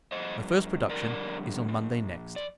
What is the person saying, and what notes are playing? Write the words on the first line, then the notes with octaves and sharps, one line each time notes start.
The first production is on Monday next.
G2 F3 C5 D#5
F2 D3 G3 A#4 D5
A#2 F3
D5